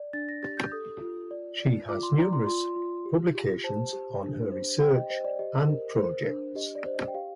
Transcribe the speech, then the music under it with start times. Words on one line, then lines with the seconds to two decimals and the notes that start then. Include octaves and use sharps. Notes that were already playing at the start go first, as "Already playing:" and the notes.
She has numerous publications on her research and projects.
Already playing: D5
0.13 D4 A6
0.29 A#6
0.43 G4 A6
0.57 G6
0.72 A4 D#6
1.01 F4
1.31 D5
1.60 D5
1.89 F4 D6
2.03 C6
2.18 D5 A#5
2.33 C6
2.47 F4 C6
2.76 F4
3.06 G4
3.35 G4
3.64 C5 A5
3.93 G4
4.23 D4
4.52 C5
4.81 G4 G5
4.95 D#5
5.10 C5 D#5
5.24 D5
5.39 G4 D#5
5.69 A#4
5.98 C5
6.27 D4
6.55 G4 D#5
6.75 D5
6.86 C5
6.95 D#5
7.08 G5
7.14 G4 F5